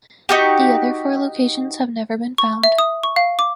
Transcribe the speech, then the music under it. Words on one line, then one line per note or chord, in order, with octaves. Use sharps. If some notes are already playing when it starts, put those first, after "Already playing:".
The other four locations have never been found.
D#4 F#4 G4
C#6
E5
D#6
C#6
F5
D6